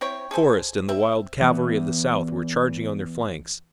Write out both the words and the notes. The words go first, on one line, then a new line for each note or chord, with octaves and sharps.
Forrest and the wild cavalry of the South were charging on their flanks.
C4 E4 C#5 G5
G#4 A4 C5 G#5
C4 E5
E3 B3